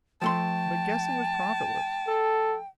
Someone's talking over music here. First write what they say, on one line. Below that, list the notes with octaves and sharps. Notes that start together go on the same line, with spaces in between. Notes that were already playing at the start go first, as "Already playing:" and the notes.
But guessing was profitless.
F3 A3 G5 A5 C6
A4